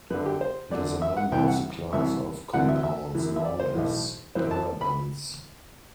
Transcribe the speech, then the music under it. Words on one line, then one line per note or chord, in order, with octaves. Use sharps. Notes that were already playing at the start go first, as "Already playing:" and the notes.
It is a member of the class of compounds known as parabens.
F#2 D3 B4
G4
C5
F#2 D3 D5
E5
F#5
C2 C3 E3 G5
F#5
C2 C3 E3 E5
D2 C3 E3 F#5
E5
E5
F#2 E3
E5
D5
C5
B1 A2 E3
F#2 E3 C5
A5
B5